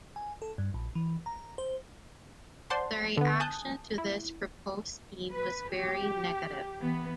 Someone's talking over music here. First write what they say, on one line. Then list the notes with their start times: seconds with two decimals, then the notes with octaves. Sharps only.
The reaction to this proposed scheme was very negative.
0.16 G#5
0.42 A4
0.58 G2
0.74 A#1
0.95 E3
1.26 A#5
1.58 C5
2.70 C5 D5 F#5 A5 C6
3.17 D3 B3
3.40 G#5 A5 D#6 F#6 G6
3.98 E4
5.33 B4
5.73 G4
6.79 E3 B3